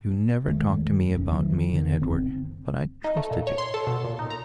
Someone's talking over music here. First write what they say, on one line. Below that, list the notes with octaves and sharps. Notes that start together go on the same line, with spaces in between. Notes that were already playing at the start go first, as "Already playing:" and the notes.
You never talked to me about me and Edward, but I trusted you.
E2 D#3 G#3 A3
E1 F2 C#4
D#3 E3 F#3
D3 D#3 B3
F#1 C4
D#4
A3
A#2
C#5
C6
A4
B2
A#2
D#4
A#5